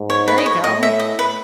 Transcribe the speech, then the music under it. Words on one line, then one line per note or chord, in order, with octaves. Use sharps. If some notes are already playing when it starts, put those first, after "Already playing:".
There you go.
Already playing: G#2
C#5
B4
D#5
C#5
A2 D#5
E5
D#5
B4